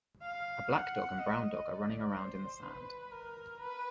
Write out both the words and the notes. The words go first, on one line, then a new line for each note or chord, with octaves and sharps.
A black dog and brown dog are running around in the sand.
F5
F#5
D#5
D5
C5
B4
A#4
B4